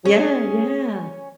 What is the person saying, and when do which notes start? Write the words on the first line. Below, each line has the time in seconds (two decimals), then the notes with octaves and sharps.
yeah. Yeah,
0.05 C#4 G#4